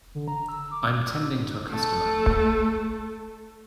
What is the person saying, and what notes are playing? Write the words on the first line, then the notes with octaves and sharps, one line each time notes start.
I am tending to a customer.
D3
A#5
E6
D6
E6
A3 A4